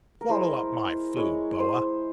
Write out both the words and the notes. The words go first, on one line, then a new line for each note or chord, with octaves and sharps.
Swallow up my food, boa.
A#4
G#3 E4 C5
G#3 E4 C#5
C5